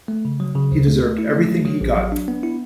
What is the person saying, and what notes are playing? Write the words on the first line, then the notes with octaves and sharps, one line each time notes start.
He deserved everything he got!
A3
C#3
F#3
C#3
D2
A3
A3
E4
A3
F#3
F#3
A1
F#3
D4
B3
E4